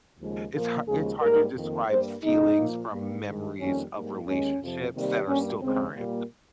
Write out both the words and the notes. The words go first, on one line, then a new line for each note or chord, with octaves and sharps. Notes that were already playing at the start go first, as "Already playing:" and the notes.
it's har it's hard to describe feelings from memories of relationships that are still current.
D#2 C#3 F3 G#3
A#2 F3 A#3
D#2 C#3 F3 G#3 G#4
G#2 G3 A#3 A#4
F2 D#3 A#3
G2 G3 A#3 C5
F2 C#3 G#3 D#4
A#2 F3 A#3
G2 G3 A#3
G#2 D#3 G#3
F2 D#3 G3 A#3 C#4
G#2 G3 A#3
D#2 D#3 G#3 C#4
F2 C3 F3
C3 D#3 G3 A#3
G2 G3 A#3 C#4
D#2 C#3 G#3 C4
A#2 G3 A#3